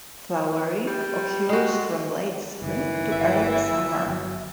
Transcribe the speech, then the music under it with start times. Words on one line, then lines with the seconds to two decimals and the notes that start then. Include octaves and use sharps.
Flowering occurs from late spring to early summer.
0.88 G3
1.49 G#3 F#4
2.62 F#1 D#3 E3
3.12 G1 E5
4.06 G1 F#3